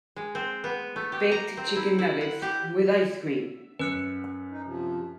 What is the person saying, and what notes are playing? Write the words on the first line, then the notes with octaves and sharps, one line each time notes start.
Baked chicken nuggets, with ice cream.
G#3
C4
B3
A3
G4
A#5
C4
E4
E4
F#5
G4
F#2 B4 F#6 C#7
D#4
C3 F3